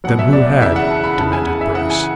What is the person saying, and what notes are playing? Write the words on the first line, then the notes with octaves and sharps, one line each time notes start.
"Then who had?" demanded Bryce.
B2 F#3 F#5
E5
D5
D5
C#3 E3 E5
F#5
A5
B5
C#3 E3 A5
G#5
F#5
E5
C#3 E3 F#5
G#5